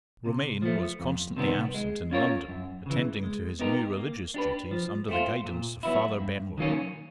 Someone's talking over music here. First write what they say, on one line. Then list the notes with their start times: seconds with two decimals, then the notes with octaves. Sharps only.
Romayne was constantly absent in London, attending to his new religious duties under the guidance of Father Benwell.
0.26 C3
0.62 F3 A3
1.00 F2
1.37 C3 D#3 G3 B3
1.74 G#3
2.11 C#4 F4 A#4 C#5
2.48 F#2
2.86 C#3 E3
3.23 G#3
3.59 B3 D#4 G4 A#4
3.97 A#3
4.34 D4 G4 B4
4.71 F3
5.09 A3 C4 F4
5.45 A#2
5.83 F#3 B3 E4
6.20 G2
6.58 D#3 F#3 A#3 C#4